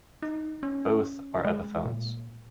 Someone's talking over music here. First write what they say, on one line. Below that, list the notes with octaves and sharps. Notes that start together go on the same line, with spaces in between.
Both are Epiphones.
D#4
C#4
G#3
A#2